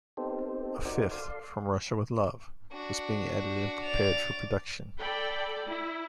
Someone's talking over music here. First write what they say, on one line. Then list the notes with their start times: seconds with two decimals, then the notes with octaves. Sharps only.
A fifth, "From Russia, with Love", was being edited and prepared for production.
0.17 B3 C4 D#4 G4 A4 C5
0.85 D#4 F#4 A#4 C5 D5
1.11 A4 D5 F5 C6
2.72 D4 F#4
3.84 D5 F7
4.98 A4 D5 G5 B5
5.66 E4